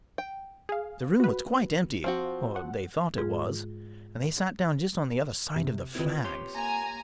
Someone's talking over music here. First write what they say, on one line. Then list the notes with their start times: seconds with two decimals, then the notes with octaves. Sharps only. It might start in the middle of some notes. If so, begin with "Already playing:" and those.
The room was quite empty, or they thought it was, and they sat down just on the other side of the flags.
0.18 G5
0.69 G#4 F5
1.20 F#4 B4
2.04 F3 C4 F#4 F5
2.56 F#5
3.18 G#2 G#3 F4 G#4
5.56 C3
5.95 D#3 C4 E4 F4 B4
6.25 G4 C#5 C6
6.54 A#3 G#5 A#5